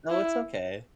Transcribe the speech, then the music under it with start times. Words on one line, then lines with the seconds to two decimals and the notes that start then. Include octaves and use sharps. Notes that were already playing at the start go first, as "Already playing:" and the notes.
no, it's okay.
0.10 E4